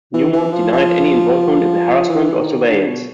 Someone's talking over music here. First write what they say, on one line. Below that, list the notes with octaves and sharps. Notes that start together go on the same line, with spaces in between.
Newmont denied any involvement in the harassment or surveillance.
E3
E3
F3
F3
E3
D#3
D3
B2